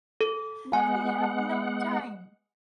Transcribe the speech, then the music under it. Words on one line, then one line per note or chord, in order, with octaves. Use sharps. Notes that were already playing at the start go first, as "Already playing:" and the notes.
But we have no time.
A4
G#3 B3 F#5 G#5